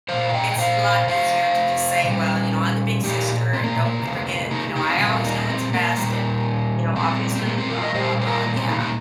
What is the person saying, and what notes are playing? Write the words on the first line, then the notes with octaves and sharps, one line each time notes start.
it's n a lot easier to just say, "Well, you know, I'm the big sister and don't w forget, you know, I always know what's best and, you know, obviously blah blah blah," yeah.
A#2 F3 C5 F5
F5
D#5 G5
G5
C5 F5
C3 F3 C5 F5
A#2 G3
A#2 F3 D#4 G4
C4
A#3
A#3
C3 F3
A#3 D#4
D#4 G4
C4 F4
A#2 G3 C4 F4
A#3 D#4
C4
A#3
A#2 G3
A#2 G3 C4
C4
A#3
C4
F4 A#4
A#4 D#5
A#2 G3 G4 C5
C5
F4 A#4
A#3
C4
A#3 D#4
A#3 D#4